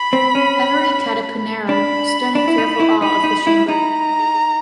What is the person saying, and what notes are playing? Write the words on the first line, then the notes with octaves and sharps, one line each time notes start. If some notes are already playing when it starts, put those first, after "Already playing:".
Every "katipunero" stood in fearful awe of this chamber.
Already playing: B5
C4
C#4
D4 B5
D4 B5
E4
D#4
E4
D#4 B5
D#4
E4
D#4 A#5